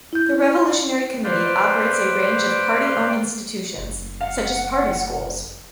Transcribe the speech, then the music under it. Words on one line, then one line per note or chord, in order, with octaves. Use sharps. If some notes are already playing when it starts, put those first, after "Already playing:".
The Revolutionary Committee operates a range of party-owned institutions, such as party schools.
E4 G6
B4 C5 D5 F5 G5
F#1
F5 F#5